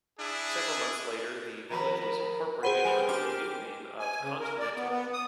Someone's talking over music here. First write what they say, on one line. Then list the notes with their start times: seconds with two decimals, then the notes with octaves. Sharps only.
Several months later, the village was incorporated under the new name of Continental.
0.20 D4 E4 G#4
1.70 D#3 F3 A#4 A#5 B5
2.63 G#4 B4 C5 F#5 G5 B5 C6 D#7
2.85 G3 G#3 G#5
3.09 D4 G4 A#4 D6 F6
3.99 G#5
4.22 C#3
4.40 A#4
4.59 D5
4.76 B3
4.89 B3
5.13 D#6